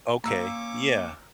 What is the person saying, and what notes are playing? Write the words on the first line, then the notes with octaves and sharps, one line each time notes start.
Okay, yeah.
A#3 C#4 F5 A#5 C#6 D6 E6